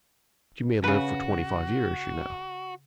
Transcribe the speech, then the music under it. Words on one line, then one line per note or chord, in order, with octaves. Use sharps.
"But you may live for twenty-five years, you know."
C#3 F#4 B4